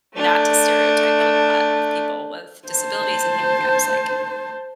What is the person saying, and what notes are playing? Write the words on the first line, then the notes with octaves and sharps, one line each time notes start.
not to stereotype, but a lot of people with disabilities and handicaps, like,
A3 D4
C5 A5